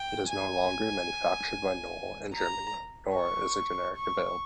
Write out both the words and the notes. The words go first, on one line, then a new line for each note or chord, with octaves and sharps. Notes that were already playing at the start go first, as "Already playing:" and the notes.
It is no longer manufactured by Knoll in Germany, nor is a generic available.
Already playing: G5
G#5
A#5
C#6
C#6